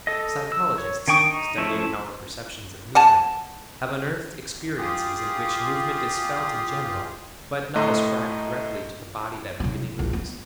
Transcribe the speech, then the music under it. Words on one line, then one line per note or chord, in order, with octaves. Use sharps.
Psychologists, studying our perceptions of movement, have unearthed experiences in which movement is felt in general but not ascribed correctly to the body that really moves.
A4 D#5
E6
C#5
D#3 D4 G5 C#6 D#6
D#4
F3 A3 C#4 E4 E5
F#5 G#5 A5
F4 G4 G#4
A2 A3 D#5 A#5 C6
C3 F#3
A#1 A#2
B3